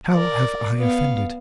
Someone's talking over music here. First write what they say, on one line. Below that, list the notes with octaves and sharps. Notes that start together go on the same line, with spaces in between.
"How have I offended?"
A#4 D5
B3 F5